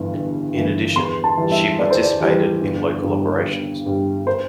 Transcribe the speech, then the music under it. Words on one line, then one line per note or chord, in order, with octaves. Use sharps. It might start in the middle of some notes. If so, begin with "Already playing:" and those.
In addition, she participated in local operations.
Already playing: G1 G2 E3
G1
G2 E3
E2 C6
A5
E3 G3
E5
E2 D5
C5
D5
E3 G3
G1
G2 G3
G1
G2 G3
C5